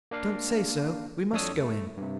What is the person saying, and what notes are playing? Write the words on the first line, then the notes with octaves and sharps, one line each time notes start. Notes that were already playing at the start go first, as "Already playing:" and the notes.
'Don't say so; we must go in.
A#3 D4 F5
F2 D4 A4 C#5 D#6 E6
A3
G2 C3